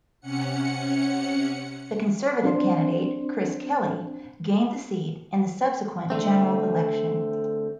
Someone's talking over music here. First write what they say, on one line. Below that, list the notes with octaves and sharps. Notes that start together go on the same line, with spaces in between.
The Conservative candidate, Chris Kelly, gained the seat in the subsequent general election.
C3 C#4 F#5 C#7
C4 D4 C5
D3 A3 C4